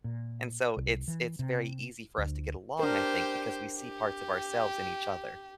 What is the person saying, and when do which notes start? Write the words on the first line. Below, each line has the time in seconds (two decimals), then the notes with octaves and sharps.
And so it's it's very easy for us to get along, I think, because we see parts of ourselves in each other.
0.04 A#2
0.77 C2
1.08 E3
1.39 C3
2.18 D2
2.79 D4 G4 A#4 C5
3.79 G4